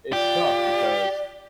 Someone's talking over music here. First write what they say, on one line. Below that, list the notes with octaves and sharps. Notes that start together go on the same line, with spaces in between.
it's tough because,
F4 G4 D5